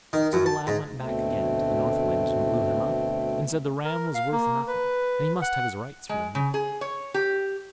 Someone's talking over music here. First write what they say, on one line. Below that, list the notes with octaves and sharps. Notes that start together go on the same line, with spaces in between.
So the lad went back again to the North Wind, and blew him up, and said the ram was worth nothing, and he must have his rights for the meal.
D#3
F#2
A5
G#2
D2 B2 A3 C4
A#4
F5
A#3
B4
F#5
G#3
C#3
G#4
C#5
G4